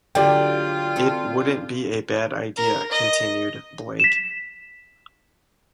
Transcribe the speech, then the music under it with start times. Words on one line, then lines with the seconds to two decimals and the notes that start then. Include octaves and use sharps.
"It wouldn't be a bad idea," continued Blake.
0.15 D3 F#3 A#3 F4 G4 D5 G5
0.96 C4 A4
2.57 A#4
2.92 D#5
4.00 B6 E7